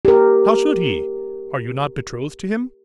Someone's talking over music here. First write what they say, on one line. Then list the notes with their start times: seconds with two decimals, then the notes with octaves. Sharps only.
How should he? Are you not betrothed to him?
0.05 G4 A#4